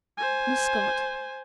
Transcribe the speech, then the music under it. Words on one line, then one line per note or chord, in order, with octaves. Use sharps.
"Miss Scott?"
C5 G#5